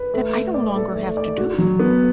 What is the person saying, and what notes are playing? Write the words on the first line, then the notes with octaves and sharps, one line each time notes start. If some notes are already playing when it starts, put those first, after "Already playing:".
that I no longer have to do.
Already playing: B4
A3
A3
D5
A4
A3
D5
F#4
F#3
B3